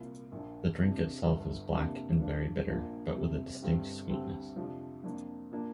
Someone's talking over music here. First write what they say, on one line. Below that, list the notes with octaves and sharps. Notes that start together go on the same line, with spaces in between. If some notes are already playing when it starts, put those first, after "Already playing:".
The drink itself is black and very bitter, but with a distinct sweetness.
Already playing: C2 A#2 A#3
A#1 A#2 A#3 D4
F2 C3 F3 D4
G1 G2 D3
F2 C3 A#3 D4
G2 F3 D4
A#1 A#2 A#3 D4
F2 C3 G3
G1 G2 G3 C4
D2 D3 G3 C4
F2 C3 F3 D4
F2 F3 A#3 D4
A#2 A#3 D4